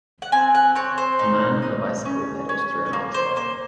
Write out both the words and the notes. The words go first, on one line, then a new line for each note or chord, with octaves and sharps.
A man on a bicycle pedals through an archway.
F#5
C4 G#5
F#5
C4 C#5
C5
D#4
D#4
C#4
C#4
A#3
C5
A#3 C5